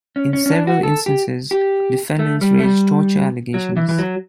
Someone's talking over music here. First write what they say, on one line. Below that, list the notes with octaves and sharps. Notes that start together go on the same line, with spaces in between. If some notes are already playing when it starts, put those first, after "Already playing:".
In several instances defendants raised torture allegations.
C#4
C#4
C#4
D4
F#4
A4
G4
G4
A3
G3
A3
G3
F#3
E3
E3
F#3